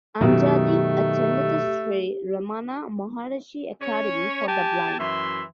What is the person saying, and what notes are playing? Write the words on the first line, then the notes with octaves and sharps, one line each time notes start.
Angadi attended the Shree Ramana Maharishi Academy for The Blind.
F#2 B2 D#3 A3 G4
C#4 C#5
G4 G#5 A5
F#2 E3 E5 C6